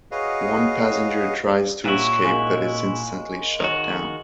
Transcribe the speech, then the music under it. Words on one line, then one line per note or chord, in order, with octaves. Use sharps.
One passenger tries to escape but is instantly shot down.
F#4 G#4 B4 C#5 D#5 F5
A#2 E4 C#5 E5 F#5
G#3 A#3 D#4
D#3 F#4